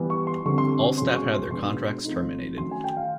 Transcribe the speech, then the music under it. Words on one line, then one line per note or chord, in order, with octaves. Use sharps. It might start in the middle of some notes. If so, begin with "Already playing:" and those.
All staff had their contracts terminated.
Already playing: E3 G3 B3
C#6
C6
D3 G3 C4 C#6
C6
B2 G#3 C#4 C6
C#6
C6
B2 G#3 B3 D4 C6
F3 A3 C4 D#4
D#3 F#3 A3 C#4 C6
G#5
G5
F5